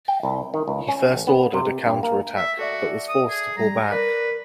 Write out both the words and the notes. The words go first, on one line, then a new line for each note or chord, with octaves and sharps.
He first ordered a counterattack, but was forced to pull back.
G5
C2
D#3
C#2
C#4
A1
B3
C3
G2
A#3
E5
F#4 A4 D5 E5
D#6
G#4
G3 A#5
A#4 B4 D5 F#6